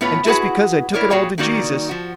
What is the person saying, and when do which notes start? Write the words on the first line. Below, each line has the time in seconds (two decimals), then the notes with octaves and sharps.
And just because I took it all to Jesus.
0.01 A2 B3 F4 B4 C#5
0.26 E4 F#4 G#4 B4 F#5
0.94 E4 A#4 C#5 D5
1.10 A#2 F#4 G#4 C#5 F5 G5
1.38 D#3 G3 A#3 D#4 F#4 D5
1.89 F3 F#4